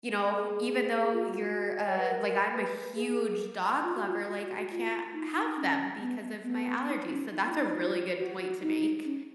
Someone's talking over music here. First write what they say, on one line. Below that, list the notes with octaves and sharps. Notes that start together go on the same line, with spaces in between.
you know, even though you're, uh like I'm a huge dog lover, like, I can't have them because of my allergies. So that's a really good point to make.
G#4
G#4
F4
F#4
D#5
C#5
B4
A#4
B4
G#4
F4
F#4
F4
F#4
F4
D#4
C#4
B3
B3
D#4
C#4
D#4
F4
D#4
F4
F#4
D#4
C#4